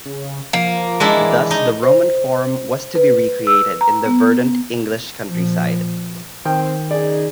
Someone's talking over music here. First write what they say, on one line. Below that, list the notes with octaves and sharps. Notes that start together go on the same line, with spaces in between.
Thus the Roman Forum was to be recreated in the verdant English countryside.
C#3
F3 A#3
G#3 D4 E4
E3
D#4
C5
B4
E6
A#5
B3
A#2 F3
D#3 C4 G5
C#3 D#4 G#4 D5